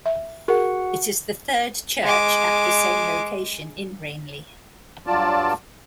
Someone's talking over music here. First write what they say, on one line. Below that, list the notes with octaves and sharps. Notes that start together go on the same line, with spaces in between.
It is the third church at the same location in Reinli.
E5
F#4 G#4 A#4 F#5
G#3 D6
G2 F#3 F4 D5 A5